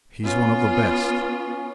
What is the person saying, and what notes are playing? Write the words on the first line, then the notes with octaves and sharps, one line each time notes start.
"He's one of the best!"
B3 C#4 F4